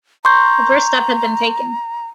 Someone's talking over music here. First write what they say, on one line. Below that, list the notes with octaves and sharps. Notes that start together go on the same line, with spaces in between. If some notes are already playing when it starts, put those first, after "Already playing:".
The first step had been taken.
A#5 C6 C#6 G6